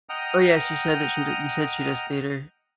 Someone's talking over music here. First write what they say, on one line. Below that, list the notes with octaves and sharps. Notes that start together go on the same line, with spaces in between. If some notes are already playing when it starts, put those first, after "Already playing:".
Oh, yes. You said that she d you said she does theater.
D#5 F#5 G5 A#5 D#6 F6